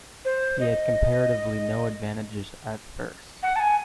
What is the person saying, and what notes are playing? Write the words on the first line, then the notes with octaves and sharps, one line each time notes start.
He had comparatively no advantages at first.
C5
D#5
F#5
A5
G#5